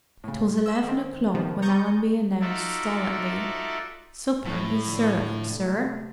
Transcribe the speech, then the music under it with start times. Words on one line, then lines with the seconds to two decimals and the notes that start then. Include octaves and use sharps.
It was eleven o'clock when Allenby announced stolidly, "Supper is served, sir!"
0.24 A2 C#3
0.66 E6
0.84 D#3 C4
1.34 C3 D#3 F3 B3
1.62 A#5 C#6 D#6 G6 A6
2.41 D#4 F4 F#4 A4 D5 E5
4.45 A2
4.86 D3 F3
5.51 C3 A3